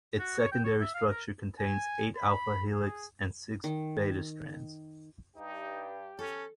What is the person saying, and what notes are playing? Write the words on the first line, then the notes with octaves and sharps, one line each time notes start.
Its secondary structure contains eight alpha helix and six beta strands.
F#4
C#5
G5
C#5
E5
F5
A#4
G#5
B5
G#4
D#3
G2 D#4 G4
C#4 A4